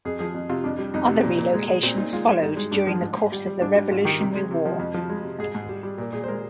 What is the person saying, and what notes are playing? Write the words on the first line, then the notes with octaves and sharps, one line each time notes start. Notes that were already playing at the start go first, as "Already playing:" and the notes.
Other relocations followed during the course of the Revolutionary War.
F2 G#4
F3 G#4
F2
C3 F4
F2 D4
G3
F2 D#4
C3
A#2
A#2
G#3
G#3
A#2 C4
A#2 D#4
G#3 F4
G#3 F4
G2 D#4
G#3
G2 D4
F3
G#2
G#2
G3
G3
G#2 D4
G3 D4
G#2 F4
D#3 G4
C3
G#3
C3
F3
F2
F3
G#3
C3
G#2 G#4
G#2
G3
G3
A#2
A#2 G#4
C5
G#3 A#4